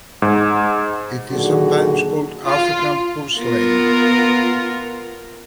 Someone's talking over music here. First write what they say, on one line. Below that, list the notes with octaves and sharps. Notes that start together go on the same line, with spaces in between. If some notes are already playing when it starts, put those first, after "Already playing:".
It is sometimes called African purslane.
G#2
A#2 D3 D#3 F#3 F#4 G#4
F4
B3 F4 A#4